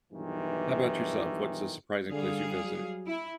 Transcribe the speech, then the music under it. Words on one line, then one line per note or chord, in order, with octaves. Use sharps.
How about yourself- what's a surprising place you visited?
B1 G2 D#3 E3
D3 G3 G#4 F5
F#3
E4